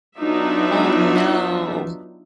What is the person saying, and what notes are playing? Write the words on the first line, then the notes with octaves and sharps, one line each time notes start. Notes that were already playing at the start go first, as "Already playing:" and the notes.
Oh, no.
F#3 B3 D4 D#4 F4 E5